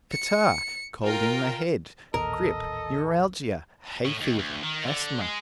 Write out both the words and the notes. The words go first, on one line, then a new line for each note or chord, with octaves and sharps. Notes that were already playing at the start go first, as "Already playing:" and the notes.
Catarrh, cold in the head, grip, neuralgia, hay fever, asthma.
C#7
F4 A#4 G5
A1 D#2 A#2 A4 A#4 D#5
A2
D#2
D2
D#3
D3
G#3